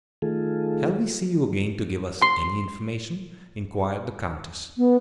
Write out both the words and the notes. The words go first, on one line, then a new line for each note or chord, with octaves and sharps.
"Shall we see you again to give us any information?" inquired the countess.
D#3 A3 F4 G#4 A4
C6
B3